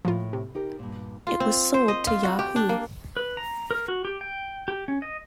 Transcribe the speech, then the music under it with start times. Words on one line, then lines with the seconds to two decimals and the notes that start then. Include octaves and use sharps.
It was sold to Yahoo!
0.05 A2 F3 A#3 F4
0.33 C3
0.55 D#4 G4 A#4
0.79 G2 A#2
1.27 F4
1.40 C4
1.74 C5
1.88 D#5
2.07 F4
2.23 F#4
2.39 G4
2.56 D4
2.69 A#3
3.17 B4
3.37 A#5
3.71 A#4
3.88 F#4
4.05 G4
4.21 G5
4.68 G4
4.88 C#4
5.02 D#5